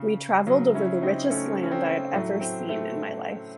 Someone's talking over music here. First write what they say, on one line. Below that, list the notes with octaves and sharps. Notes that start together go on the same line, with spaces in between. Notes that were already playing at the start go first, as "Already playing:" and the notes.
We travelled over the richest land I had ever seen in my life.
Already playing: C#3
C#3 F#3
C#4 E4
C4 D#4
A3 C#4
C#4
C4
A2 F#3 A3
C4
A3